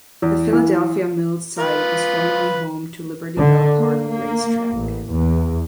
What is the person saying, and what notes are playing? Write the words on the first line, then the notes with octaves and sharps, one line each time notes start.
The Philadelphia Mills site was formerly home to Liberty Bell Park Racetrack.
E2
E3
F4 B4
D3
A#3
A#3
A1
E2